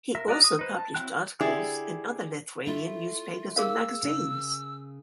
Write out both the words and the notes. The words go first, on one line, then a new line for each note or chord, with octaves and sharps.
He also published articles in other Lithuanian newspapers and magazines.
A#4 E5
F#4 D5 D#5 A#5 F#6
D#6
D#4 B4 C5
A5
F#3 C4 E4 G5 F#6
D3 E4 G4 G#4 D5
A3 E4 F4
G#4 A#4 F5 E6
C#3